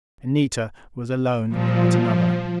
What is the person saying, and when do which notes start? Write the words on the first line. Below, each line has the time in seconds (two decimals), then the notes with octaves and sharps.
Anita was alone at another.
1.49 A#2 F3 G3